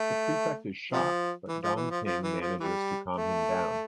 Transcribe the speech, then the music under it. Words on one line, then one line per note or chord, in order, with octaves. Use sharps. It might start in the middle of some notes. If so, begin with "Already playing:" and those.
The prefect is shocked but Dong Ping manages to calm him down.
Already playing: A3
C3 F3
E3
F3
E3
F3
F3
E3
F3
E3 G3
A3